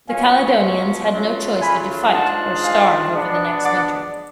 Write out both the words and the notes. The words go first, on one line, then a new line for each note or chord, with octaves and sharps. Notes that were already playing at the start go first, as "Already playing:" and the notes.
The Caledonians had no choice but to fight, or starve over the next winter.
B2 F#3 C#4 F4 F5 G#5
C#3 F#3 A3 F4
G#5 B5
G#2 G#3 D4 F4 F#5 A5
F5 G#5
B2 G#3 B3 D4
D5 F#5